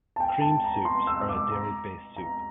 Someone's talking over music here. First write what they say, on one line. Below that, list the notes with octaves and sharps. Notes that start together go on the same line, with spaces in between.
Cream soups are a dairy based soup.
A5
G5
A5
A#5
C6
E6
E6
D6
A#5
A#5